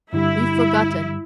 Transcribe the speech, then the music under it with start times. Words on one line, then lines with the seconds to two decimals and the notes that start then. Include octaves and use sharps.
We've forgotten.
0.13 G2 D3 G3 E4